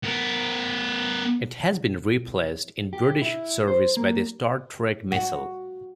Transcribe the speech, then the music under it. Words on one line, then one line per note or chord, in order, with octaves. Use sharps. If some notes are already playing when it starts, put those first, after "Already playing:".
It has been replaced in British service by the Starstreak missile.
B3 A#4
G4
E4
C5
A#3
F#4